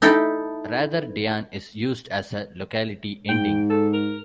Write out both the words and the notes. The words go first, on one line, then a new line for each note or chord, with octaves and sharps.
Rather, "dian" is used as a locality ending.
D#4 E4 A4 G5 B5
G#2 G5
A4
A#4